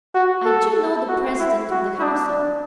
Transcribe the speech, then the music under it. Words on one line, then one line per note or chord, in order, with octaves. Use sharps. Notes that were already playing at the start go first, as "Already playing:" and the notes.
I DO know the President of the Council.
F#4
A4
F#4
E4
F#4
D4